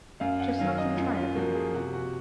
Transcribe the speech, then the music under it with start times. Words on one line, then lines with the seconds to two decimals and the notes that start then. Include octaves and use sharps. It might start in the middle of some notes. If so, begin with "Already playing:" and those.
Just let them try it.
0.20 F#2 F5
0.40 F#5
0.58 D#3 F#3 F5
0.78 D#5
0.97 F#2 F4
1.17 F4
1.35 F3 A#3 F#4
1.55 G#4
1.74 C3 F#4
1.93 F#4